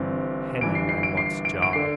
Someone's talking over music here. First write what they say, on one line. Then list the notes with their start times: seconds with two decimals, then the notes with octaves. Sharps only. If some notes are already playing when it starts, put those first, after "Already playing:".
Handy man wants job.
Already playing: G1 G2 E3 C4
0.61 G1 G2 E3 D7
0.75 C7
0.89 C7
1.03 D7
1.17 C7
1.45 D7
1.62 D7
1.73 D3 C7